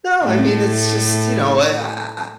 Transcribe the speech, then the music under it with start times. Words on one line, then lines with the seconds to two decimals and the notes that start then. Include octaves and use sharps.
No. I mean, it's just you know, eh, I I
0.23 A2 A3